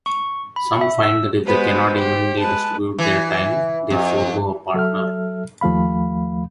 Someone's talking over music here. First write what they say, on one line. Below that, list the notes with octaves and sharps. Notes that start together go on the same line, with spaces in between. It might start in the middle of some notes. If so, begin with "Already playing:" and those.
Some find that if they cannot evenly distribute their time, they forego a partner.
C#6
B5
E5
E6
G#3 B3 F#4 B4 C5
G4
G#3 B4 A5
E3
F2
F#3 A4 E5 F6
D#2 F3 A3 F5 B5